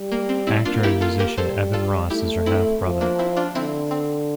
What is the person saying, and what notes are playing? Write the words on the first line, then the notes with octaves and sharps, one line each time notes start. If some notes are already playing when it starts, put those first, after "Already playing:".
Actor and musician Evan Ross is her half-brother.
Already playing: G3
A#3
C4
C4 E4
A#3 D4 F4
E4 G4
F4 A4
G4 A#4
G3 A4 C5
F4 A4
A3 E4 G4
C4 E4
F3
A#3 D4
C4 E4
D4 F4
D3 C4 E4
C4